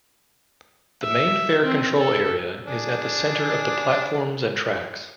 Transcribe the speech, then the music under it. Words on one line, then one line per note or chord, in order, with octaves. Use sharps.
The main fare control area is at the center of the platforms and tracks.
E5
C4
A4
D4 G#4